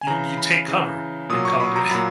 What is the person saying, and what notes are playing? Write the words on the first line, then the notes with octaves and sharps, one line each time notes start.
You you take cover in Call of Duty.
G#5
C#3 E3 A#5
B5
C#3 E3
A#2 F#3 D#6
C#6
B5
A#5
A#2 F#3 B5